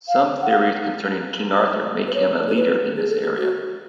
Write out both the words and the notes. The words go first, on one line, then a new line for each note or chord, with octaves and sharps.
Some theories concerning King Arthur make him a leader in this area.
F5
F#5
F5
B4
C#5
A4
B4
G#4
A4
G#4
F#4